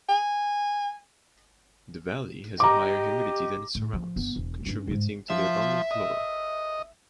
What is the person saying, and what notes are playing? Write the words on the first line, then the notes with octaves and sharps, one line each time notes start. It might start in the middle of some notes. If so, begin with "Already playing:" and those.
The valley has a higher humidity than it surrounds, contributing to the abundant flora.
G#5
G4 D#5 A#5 D6
A2
F3
G1 B3
E1
G2 C#4
G#2 G#3
F3 E5
D#5